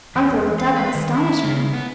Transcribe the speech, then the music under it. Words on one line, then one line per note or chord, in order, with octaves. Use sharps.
Arthur looked up in astonishment.
E2
F5
B4
D#3
E4
C#3
B3